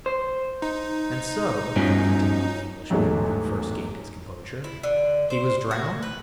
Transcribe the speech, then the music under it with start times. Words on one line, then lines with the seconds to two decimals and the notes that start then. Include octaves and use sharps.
"And so," continued the Englishman who first gained his composure, "he was drowned?"
0.06 C5
0.62 D#4
1.76 G2 B2 F3 C#4
2.90 A1 E2 G#2 F#3 G#3 A3
4.64 E4
4.83 D3
5.30 C5
5.71 F#4
6.03 B4